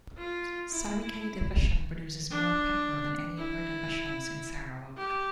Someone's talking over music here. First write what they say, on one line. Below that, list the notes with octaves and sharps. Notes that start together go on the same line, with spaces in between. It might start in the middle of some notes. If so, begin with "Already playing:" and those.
Sarikei Division produces more pepper than any other divisions in Sarawak.
F4
E4
D4
E4
G4